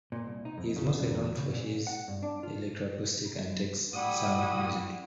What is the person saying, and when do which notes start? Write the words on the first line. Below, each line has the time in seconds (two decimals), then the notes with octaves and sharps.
He is mostly known for his electroacoustic and text-sound music.
0.12 A#2
0.27 C2
0.45 D#4
0.58 F2
0.76 C#3
1.00 E2
1.38 C#3
1.53 A#2
1.87 F#5
2.08 G2
2.23 D4
2.43 F4
3.93 A2 G3 E4 F#4 D#6